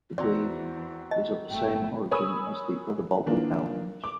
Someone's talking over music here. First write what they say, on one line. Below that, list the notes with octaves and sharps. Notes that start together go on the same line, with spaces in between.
The breed is of the same origin as the other Balkan hounds.
E2 C4 F#4 D5 A#5
D#5
G1 A3 G5
A#4 C#5 G#5 B5 D#6 E6
D#3 E3 A#3 D4 F4
D6